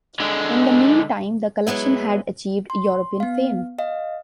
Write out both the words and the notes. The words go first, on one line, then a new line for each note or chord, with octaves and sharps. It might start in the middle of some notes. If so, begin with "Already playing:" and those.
In the meantime the collection had achieved European fame.
D3 G#3
F#3 G#3 B3 E4
C6
B3 F5
D#5 F5